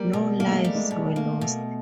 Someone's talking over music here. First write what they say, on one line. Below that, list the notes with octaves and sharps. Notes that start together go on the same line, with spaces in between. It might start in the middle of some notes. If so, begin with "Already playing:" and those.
No lives were lost.
Already playing: G3 A#3
B2
A3 A#3
G#3
G3
G#3
B2
A3 A#3
B2